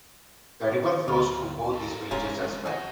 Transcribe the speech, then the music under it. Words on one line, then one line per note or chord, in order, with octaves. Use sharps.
The river flows through both these villages as well.
D2 D3 F#3 F4
G4 A4 A#4
E1 E3 G#3 C#4 D4 F4 A#4
F4 F#4 G#4 D#5